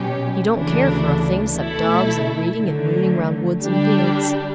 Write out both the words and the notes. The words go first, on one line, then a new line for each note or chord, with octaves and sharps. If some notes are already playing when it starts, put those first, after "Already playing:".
He don't care for a thing 'cept dogs and reading and mooning round woods and fields.
Already playing: B2 F#3 C#4 G4
D2 C#3 E3 A3 D4
B2 A3 E4 A4
D3 F#3 A3
D3 G3 D4 G4